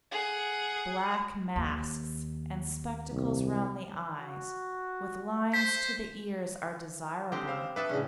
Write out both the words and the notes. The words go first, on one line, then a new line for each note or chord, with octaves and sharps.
Black masks, and spectacles round the eyes, with lines to the ears, are desirable.
G#4 F#5
D#2
C2
F#4
C5 B6
D3 G#3 C4 G4
C5 F5 E6
D4 A4 B4 E5 A5 D#6
A2 C#3 C#4 D4